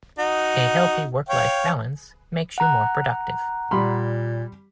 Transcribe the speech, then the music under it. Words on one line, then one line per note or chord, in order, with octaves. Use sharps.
A healthy work life balance makes you more productive.
D#4 F#4
C#5 F5 G5
F#5 A#5 F#6
A#2 G3 B5 C6